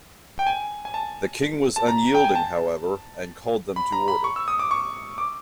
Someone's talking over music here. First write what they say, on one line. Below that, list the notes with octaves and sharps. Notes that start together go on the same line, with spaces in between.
The King was unyielding, however, and called them to order.
G5
G#5
G#5
A5
A5
A#5
G5
G#5
A5
B5
A#5
B5
C#6
E6
D#6
D6
C#6
D6